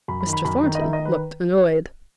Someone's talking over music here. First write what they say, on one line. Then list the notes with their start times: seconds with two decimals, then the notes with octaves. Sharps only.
Mr. Thornton looked annoyed.
0.08 F#2 B5
0.21 B5
0.27 D#3
0.33 B5
0.45 F#2 B5
0.63 D#3
0.75 D#5
0.81 D#3 E5
0.93 D#5
0.99 D#3
1.05 B4